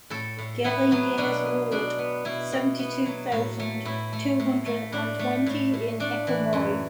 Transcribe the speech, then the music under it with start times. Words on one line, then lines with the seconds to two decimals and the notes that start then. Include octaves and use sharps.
Guérinières road, seventy-two thousand two hundred and twenty in Écommoy.
0.10 A2 A4
0.38 A2
0.64 B3 E4
0.91 F#3 B3
1.18 B2 D4
1.45 B3
1.71 B2 D4
1.99 B3
2.25 B2 E4
2.52 B2
2.79 B3
3.06 F#3
3.32 A2
3.60 A3
3.85 A2 E4
4.13 A3
4.40 A2
4.66 A3
4.92 A2 D4
5.19 A3
5.46 A2
5.74 A2
6.00 A3 D4
6.27 E3
6.53 F#2